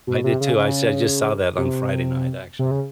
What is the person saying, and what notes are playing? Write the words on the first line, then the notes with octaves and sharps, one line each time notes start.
I did, too, I said I, just, saw that on Friday night, actually.
B2
C3
C#3
C#3
C3
C3
C#3